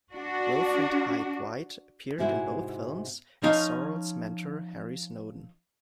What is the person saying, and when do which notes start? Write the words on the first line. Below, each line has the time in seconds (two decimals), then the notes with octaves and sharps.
Wilfrid Hyde-White appeared in both films as Sorrell's mentor, Harry Snowden.
0.12 D4 F#4
2.18 G#2 C3 G#3 E4 F#4 G#4
3.43 F3 C#4 D#4 F5